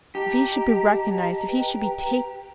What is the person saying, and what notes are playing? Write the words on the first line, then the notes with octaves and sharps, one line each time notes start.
If he should be recognised! If he should be taken!
G4 D#5 A5 A#5
B4 G5 A#5